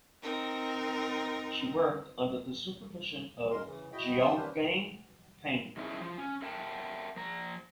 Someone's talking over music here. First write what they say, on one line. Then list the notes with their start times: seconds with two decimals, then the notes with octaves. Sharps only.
She worked under the supervision of Xiaogang Peng.
0.22 C4 D#4 A#4
3.51 F#2 G#3 A#4 C6
3.65 C#3 E3
3.92 E4 F#4 D#5 G5 B5
4.19 F3 G4 A5 C6 D#6 E6
4.36 A#3 C#4 D4 G4 B4 C5
5.77 D#3 F#3 A3 C#4 E4 G#4
6.01 F3
6.18 C#4
6.42 A#4 E5 F#5 G5 A5
7.16 F3 A#5